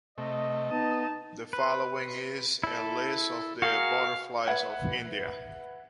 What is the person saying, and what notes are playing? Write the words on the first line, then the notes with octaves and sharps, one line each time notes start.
The following is a list of the butterflies of India.
C3 A3 D#5
B3 D#4 A5 D#6
B4
E4 A4
F#4 G#4 A#4 F5
B4 E5 F#5 G#6